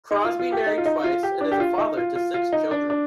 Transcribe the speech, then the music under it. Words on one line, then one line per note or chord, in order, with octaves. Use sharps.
Crosby married twice and is a father to six children.
D#4
F4
F4
G4
D#4
F4
D#4
F4
G4
D4
G4
F4
D#4
F4
F4
F4
D#4
D4
D4